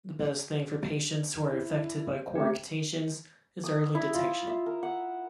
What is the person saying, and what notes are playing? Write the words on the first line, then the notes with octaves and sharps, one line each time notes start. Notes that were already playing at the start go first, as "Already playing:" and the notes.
The best thing for patients who are affected by coarctations is early detection.
E4
C5
A3 C4 G4
D#6
E4
F4
E5
A#4
F#5